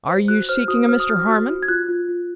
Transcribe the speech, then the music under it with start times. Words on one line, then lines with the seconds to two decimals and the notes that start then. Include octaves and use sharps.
'Are you seeking a Mr Harmon?'
0.08 C5
0.28 F#4 F#6
0.49 C5 F6
0.68 F#4 D#6
0.88 C5 F6
1.00 D#6
1.09 F#4 F6
1.28 F#4
1.49 F#4
1.63 G#6
1.68 F4 F#6
1.88 F4
2.08 F4